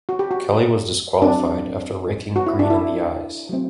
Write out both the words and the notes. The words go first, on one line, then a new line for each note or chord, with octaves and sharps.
Kelly was disqualified after raking Green in the eyes.
F#4
G4
F#4
F#3 C4 D4
F#4
E4
D4
E4
F#3 A3 C4